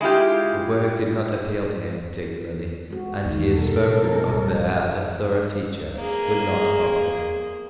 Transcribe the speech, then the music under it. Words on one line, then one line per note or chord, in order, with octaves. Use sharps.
The work did not appeal to him particularly and he is spoken of there as a thorough teacher, but not popular.
G#3 E4 F4 G4
G#3 F#4
E2 D#3 A#3 D#4
B2 G#3 A4 A#4
D1 A#2 G3
A#3 G#4